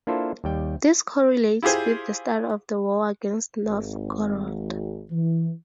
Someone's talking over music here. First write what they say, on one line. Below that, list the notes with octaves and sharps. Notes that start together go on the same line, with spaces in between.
This correlates with the start of the war against Novgorod.
A#3 D4 E4 F4 A4 C5
D#2 G3 G5
E4 F4 G4 G#4 C5
G#1
E3